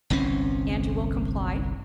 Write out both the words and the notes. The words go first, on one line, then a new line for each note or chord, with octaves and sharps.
"And you will comply?"
G1 C2 C4 C#4